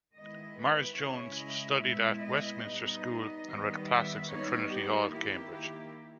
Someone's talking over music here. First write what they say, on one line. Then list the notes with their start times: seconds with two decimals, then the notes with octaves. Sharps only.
Mars-Jones studied at Westminster School, and read Classics at Trinity Hall, Cambridge.
0.17 D#3 G#3 B3 E4 D#5
0.59 B4
0.99 C#3 G#3 C#4 E4 C#5
1.40 D#5
1.81 A#2 G#3 B3 E4 E5
2.22 D#5
2.63 G3 B3 D#4 D#5
3.45 D#3 G3 B3
3.87 E5
4.27 G3 B3 D#4 C#5
4.69 G4
5.10 D#3 A#3 E4 G4
5.51 G4